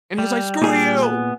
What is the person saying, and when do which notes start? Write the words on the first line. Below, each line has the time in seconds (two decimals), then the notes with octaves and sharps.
And he's, like, "Screw you!"
0.18 G3
0.62 A#2 G3 G#4
1.03 B3